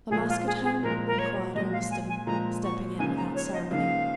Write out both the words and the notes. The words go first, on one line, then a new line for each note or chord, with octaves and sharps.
"La Masque at home?" inquired Ormiston, stepping in, without ceremony.
A#2 F3 G#3 G#4
F4
G#4
G#4
A#2 F3 G#3 A#4
A#4
C#5
A#2 F3 G#3 D#5
F5
G#5
G#5
A#2 F3 G#3 A#5
C#6
C#2 C#3 F3 A#3 D#4 G#5
A#5
C#5
D#5
C#2 C#3 F3 A#3 D#4 F5